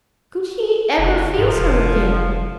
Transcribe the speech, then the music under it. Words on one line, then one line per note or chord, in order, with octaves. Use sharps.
Could he ever face her again?
F#1
G#2 F3
F1